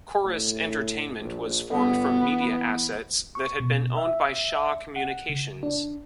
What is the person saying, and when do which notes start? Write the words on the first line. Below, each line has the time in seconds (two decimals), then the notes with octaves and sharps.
Corus Entertainment was formed from media assets that had been owned by Shaw Communications.
0.25 A2
1.20 A#1
1.72 G1 B3
2.21 E3
3.35 C#6
3.60 B2
3.97 E5
4.96 F#5
5.30 C#3
5.63 D4